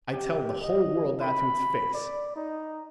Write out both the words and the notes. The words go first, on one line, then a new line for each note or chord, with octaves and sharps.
I tell the whole world that to its face!
G4
D#5
B5
D5
D#4